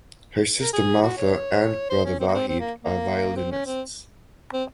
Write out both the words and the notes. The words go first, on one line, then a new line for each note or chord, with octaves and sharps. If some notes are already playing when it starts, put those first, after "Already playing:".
Her sister Martha and brother Vahid are violinists.
A#4
G#4
F#4
C#5
C5
C#4
C4
A#3
C4
C4
A#3
A#3
C4
C#4
C4
C4